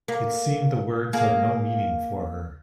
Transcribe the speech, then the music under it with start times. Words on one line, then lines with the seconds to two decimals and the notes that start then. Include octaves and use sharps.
It seemed the words had no meaning for her.
0.08 A#3
1.13 A#3 G#4